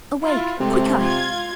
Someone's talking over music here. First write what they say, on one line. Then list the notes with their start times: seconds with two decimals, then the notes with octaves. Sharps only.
Awake! Quickeye!
0.23 E4 F4
0.60 C3 G#3 A3 C4
1.00 F4 G#6